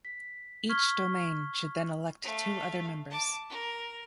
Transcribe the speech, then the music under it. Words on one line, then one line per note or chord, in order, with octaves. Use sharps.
Each domain should then elect two other members.
B6
C#6 F6 G#6 B6 G7
A3 F5
A5 D6
A#4